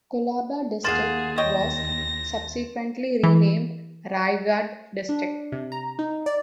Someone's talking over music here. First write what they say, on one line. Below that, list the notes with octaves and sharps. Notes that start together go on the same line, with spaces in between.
Kolaba district was subsequently renamed Raigad district.
D#2 A#3 F4 G#4 F#5 C6 A6 E7
C#5 D#5 G5 A#6
E3
D4
C3
A#5
D#4
D5